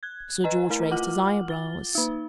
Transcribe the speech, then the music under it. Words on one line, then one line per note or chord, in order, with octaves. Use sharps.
Sir George raised his eyebrows.
F#6 G#6
B4 D#5 G#5 A#5
A3 E4 A#4
F4 F#5 D6 F6 F#7
A6 G7
A#3 D#4